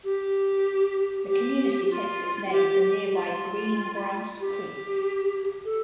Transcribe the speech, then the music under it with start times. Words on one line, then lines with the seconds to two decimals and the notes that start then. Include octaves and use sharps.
The community takes its name from nearby Green Grass Creek.
0.04 G4
1.27 G4
1.90 F4
2.45 F4
2.52 G4
2.84 G4
3.15 F4
4.40 G4
5.64 A4